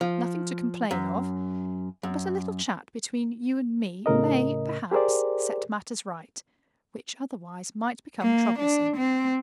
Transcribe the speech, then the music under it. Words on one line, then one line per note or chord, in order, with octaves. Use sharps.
"Nothing to complain of; but a little chat between you and me may, perhaps, set matters right, which, otherwise, might become troublesome."
F3
F#2
F#2
A2 C#3 A#4 D#5
G4 G#4 A#4 C5 D5
A#3
D4
C4